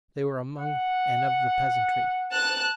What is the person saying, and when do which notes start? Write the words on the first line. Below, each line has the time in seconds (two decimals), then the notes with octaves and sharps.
They were among and of the peasantry.
0.59 F#5
2.32 A5 F#6